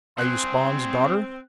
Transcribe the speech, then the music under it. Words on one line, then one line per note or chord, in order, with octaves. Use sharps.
"Are you Spawn's daughter?"
C2 C4 G#4 C6 F#6